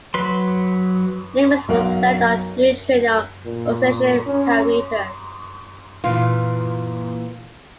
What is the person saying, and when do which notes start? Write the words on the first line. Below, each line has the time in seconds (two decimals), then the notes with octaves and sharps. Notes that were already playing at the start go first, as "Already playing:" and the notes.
Limits were set on neutrino oscillation parameters.
0.14 F#3 B4 C6
1.68 B1 F#3 A#4 F5 F#5
3.45 A#2
4.27 C#4
6.04 A#2 E3 F4